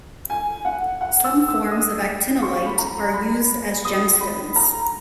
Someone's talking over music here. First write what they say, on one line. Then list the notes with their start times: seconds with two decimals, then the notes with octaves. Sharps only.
Some forms of actinolite are used as gemstones.
0.30 G#5
0.65 F#5
1.01 F#5
1.24 E6
1.48 E6
1.71 D#6
2.42 C#6
2.66 B5
2.78 A#5
3.14 B5
3.85 D#6
4.20 B5
4.56 A#5